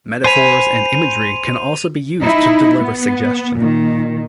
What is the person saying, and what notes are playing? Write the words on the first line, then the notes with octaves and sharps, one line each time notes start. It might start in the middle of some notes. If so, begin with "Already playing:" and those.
Metaphors and imagery can also be used to deliver suggestion.
C5 G#5 B5 D#7 F7
D#4 E4
B3
A#2 D#3